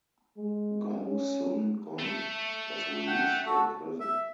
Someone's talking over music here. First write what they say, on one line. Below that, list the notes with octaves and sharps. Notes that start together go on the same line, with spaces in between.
Gongsun Gong was released from prison.
G#3
C#4
A3
F#5 G5
F#4 A4
E5